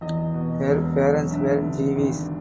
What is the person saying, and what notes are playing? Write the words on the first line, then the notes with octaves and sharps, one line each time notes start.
Her parents were Jewish.
E2 D#5
B2
E1
F#3
G2 E5
D3
G#1